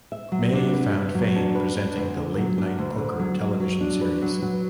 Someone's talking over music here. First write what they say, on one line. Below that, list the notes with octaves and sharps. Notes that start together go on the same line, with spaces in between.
May found fame presenting the Late Night Poker television series.
E5
F#3
D4
B4
E5
F#3
D4
B4
D4
D2
D3
F#3
D4
D2
D3
F#3
F#3
F#3
D4
B4
F#3
F#3